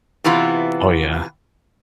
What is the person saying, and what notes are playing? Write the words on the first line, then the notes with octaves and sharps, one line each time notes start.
Oh, yeah.
C3 E3 B3 E4 F4